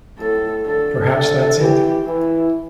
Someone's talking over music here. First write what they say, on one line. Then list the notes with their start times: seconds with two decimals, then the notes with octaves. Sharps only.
Perhaps that's it.
0.19 A2 A4
0.66 D3 A4
1.13 D3 A4
1.60 E3 G4
2.07 E3 E4